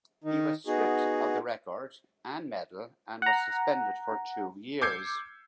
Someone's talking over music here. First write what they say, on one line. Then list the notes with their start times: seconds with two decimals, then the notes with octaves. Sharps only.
He was stripped of the record and medal and was suspended for two years.
0.24 D#3 D#4
0.67 B3 D#4 F#4 G#4
3.22 F#5 A#5
4.82 D6 E6 G6 G#6 C7 C#7